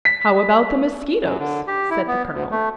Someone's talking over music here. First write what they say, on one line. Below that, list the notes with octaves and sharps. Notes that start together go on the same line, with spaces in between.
"How about the Mosquitoes!" said the colonel.
B6
F#2
D3
G4
E4
B3
D2
A3